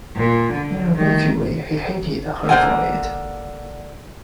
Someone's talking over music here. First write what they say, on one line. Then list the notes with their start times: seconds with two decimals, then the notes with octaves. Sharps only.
In a vague way he hated her for it.
0.16 A#2
0.52 D3
0.95 D#3 A3
2.49 D3 A#3 A#4 C5 F#5 G#5